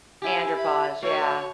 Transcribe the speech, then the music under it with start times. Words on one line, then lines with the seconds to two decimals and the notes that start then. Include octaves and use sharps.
Andropause, yeah.
0.22 E4 G4 G#5
0.57 E5 B5
1.03 A3 F#4 C#5